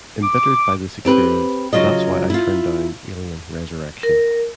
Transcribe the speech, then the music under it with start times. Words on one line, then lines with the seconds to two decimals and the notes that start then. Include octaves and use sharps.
Embittered by this experience, that's why I turned down "Alien Resurrection".
0.22 D6
1.05 C4 G4 B4
1.73 C#3 E3 F#3 F4 D#5
2.30 E4 F4
4.03 A#4